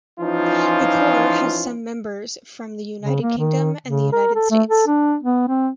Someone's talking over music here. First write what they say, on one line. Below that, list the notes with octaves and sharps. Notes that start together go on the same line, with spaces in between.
The Corps has some members from the United Kingdom and the United States.
E3 F3 C#4 D#4 F4
C#3
A#3
D#3
C#3
A#4
A4
A3
A4
D4
B3
C4